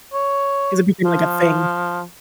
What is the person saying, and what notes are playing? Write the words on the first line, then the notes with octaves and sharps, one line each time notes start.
'Cause it became like a thing.
C#5
F3